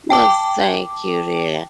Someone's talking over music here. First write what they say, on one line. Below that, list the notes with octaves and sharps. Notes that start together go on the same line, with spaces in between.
Well, thank you, dear.
G5 A5 D6